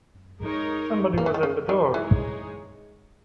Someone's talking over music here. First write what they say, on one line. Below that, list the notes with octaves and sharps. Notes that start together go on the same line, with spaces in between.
Somebody was at the door.
G#3 D#4 A#4 C#5
A#3
E3
D#3
C#3
D#3
E3 G#3 D#4 G#4 C#5